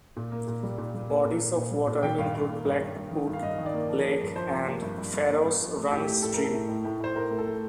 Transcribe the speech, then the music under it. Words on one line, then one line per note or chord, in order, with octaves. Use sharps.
Bodies of water include Blackwood Lake and Farrows Run stream.
A#2
A#3
A#2
G3
A#2
G3
A#3
A#2
A#3
A#2
G3
A#2
D#3 G5
G2 F5
G2 F5
A#3
G2
G2
G2
D#3
G2
F5
G2 D#5
D#3
D5
A#3
F3
A#3
G2
F3 C5
F3
A#3
G2
G2
G2
A#3
G2
F3
A3
A2 G4
A3 G4
A2 A4
A3 A#4
A4
A2
A2
A2
A2 C5
A2 A#4
A3
A4
A3